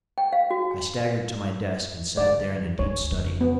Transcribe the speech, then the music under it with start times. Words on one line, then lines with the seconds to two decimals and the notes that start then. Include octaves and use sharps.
I staggered to my desk, and sat there in a deep study.
0.18 G5
0.33 F5
0.51 F#4
0.71 G#5
2.17 D3 D5
2.79 D2 C#5
3.11 F2 C#3
3.41 B3